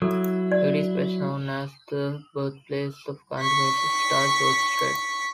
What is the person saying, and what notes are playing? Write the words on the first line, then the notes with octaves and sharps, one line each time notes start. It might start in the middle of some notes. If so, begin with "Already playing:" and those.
It is best known as the birthplace of country music star, George Strait.
F#3 E4 A4
D5
C#6 B6